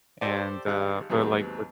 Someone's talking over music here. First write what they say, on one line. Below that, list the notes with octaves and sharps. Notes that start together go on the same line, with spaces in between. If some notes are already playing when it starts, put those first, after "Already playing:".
and, uh but, like, with
G4 A4 C5 D5
G#1 G3 F5 F#6
D#2 G#2 F#3 G3 B3 C4